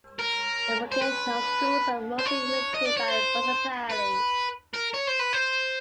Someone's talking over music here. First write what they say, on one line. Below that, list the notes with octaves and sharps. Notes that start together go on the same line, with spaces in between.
The vocational schools are mostly maintained by municipalities.
A#4
C5
B4
C5
C#5
D#5
D5
C#5
C5
B4
A#4
C#5
C5
B4
C5